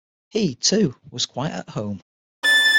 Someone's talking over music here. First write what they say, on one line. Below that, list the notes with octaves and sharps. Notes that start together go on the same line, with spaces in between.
He, too, was quite at home.
A6